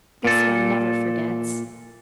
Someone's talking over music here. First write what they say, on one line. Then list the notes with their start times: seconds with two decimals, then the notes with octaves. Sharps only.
"This one never forgets!"
0.25 A#2 A4